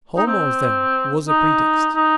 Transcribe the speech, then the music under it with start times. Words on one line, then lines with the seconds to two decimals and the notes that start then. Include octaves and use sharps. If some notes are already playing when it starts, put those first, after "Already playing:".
Homo, then, was a pretext.
0.17 D#4
0.27 C4
1.28 D#4
1.95 D#4